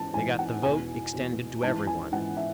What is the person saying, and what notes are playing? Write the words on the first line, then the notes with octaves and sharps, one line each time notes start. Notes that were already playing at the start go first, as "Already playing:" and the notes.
They got the vote extended to everyone.
Already playing: G#2 E3 A5
G#2 E3 G#5
F#5
E2 B2 G#5
E2 B2
G#2 E3 A5
G#5
G#2 E3 F#5
E5